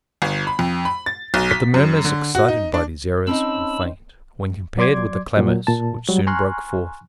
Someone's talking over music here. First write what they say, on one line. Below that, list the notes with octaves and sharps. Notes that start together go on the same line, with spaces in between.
But the murmurs excited by these errors were faint, when compared with the clamours which soon broke forth.
G1
B5
F2
B5
A6
B1
B6
F#2
D3
F#4
D#4
D4
C4 C#4 D#4 A5 B5 E6
F#3 D5 C6 D6 G#6
A#2 F#3
A#2 A5
F#3 G3
G#5 A#5 C6 C#6 F6 F#6